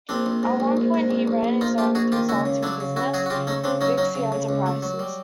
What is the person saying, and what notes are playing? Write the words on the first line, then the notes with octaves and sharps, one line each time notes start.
At one point he ran his own consulting business, Vixie Enterprises.
A#1 C4 D4
A#1
G#2
A#1
A#1
G#2
A#1
A#1
A#1
A#1 D#4 F4
A#1 F4 G4
A#1 F#4 G#4
D#3 F4 G4
C#2 E4 F#4
C#3
F#3 D4 E4
C#3
C#3 E4 F#4
F#3 F#4 G#4
F#4
C#3 F4 G4
A3 C#4 D#4
C#3 C4 D4
F#3 C#4 D#4
F#3 C#4 D#4
C#3
C#3
C#2
A3
F#3
G3